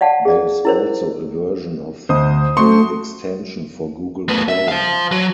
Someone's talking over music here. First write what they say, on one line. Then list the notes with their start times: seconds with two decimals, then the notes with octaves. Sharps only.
There is also a version of the extension for Google Chrome.
0.01 D5 F5 F#5 A5
0.25 G#4 D5
0.65 E4 A#4 C5
2.09 D2 C5 D#5 D#6
2.57 A3 F#4 C5 C6 C#6 C#7
4.29 A3 B3
4.49 E5
4.68 C5 F5
5.12 F#3